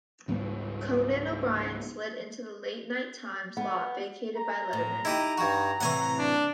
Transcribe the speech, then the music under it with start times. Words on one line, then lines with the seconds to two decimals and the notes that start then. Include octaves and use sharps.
Conan O'Brien slid into the late night time slot vacated by Letterman.
0.28 C#2 G#2 G3 B3
3.57 B3
4.37 A#5
4.73 A2
5.05 D#4 E4 G4 D#6
5.38 G2 F#4
5.81 A2 C3 E3 F#5 G#5 C#6
6.18 D4